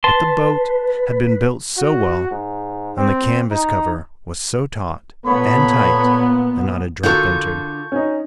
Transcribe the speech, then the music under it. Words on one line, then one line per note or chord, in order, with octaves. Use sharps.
But the boat had been built so well and the canvas cover was so taut and tight that not a drop entered.
B4 A5 C6
F#4
G#2
C4
D#4
A#2 B3 A4 C#5 B5
D3 F4 F#4 A4 A#4 C#6 G6
C#4 D#4